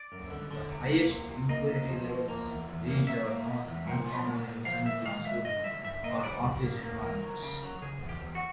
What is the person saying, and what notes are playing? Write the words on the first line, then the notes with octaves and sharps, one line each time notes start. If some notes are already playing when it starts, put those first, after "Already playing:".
The highest impurity levels reached are not uncommon in some classroom or office environments.
Already playing: D5
F#2
D3
D3
C3
A#3
C3
C3
A#3 D#5
C3
F3
F3
A#3
E2
E2
A#3
A#3 E5
A#3
B2
E2
A#2
F3
A#2
A#2
F3 F5
A#2 E5
G#3 F5
G#3 E5
G2 D#5
G3 E5
G2 E5
A#3 D#5
G3 D5
G2
A#3
A#3
E2 A#4
F#3
C#3
F#3
C#3 G#4
E2
G4
E2
F#4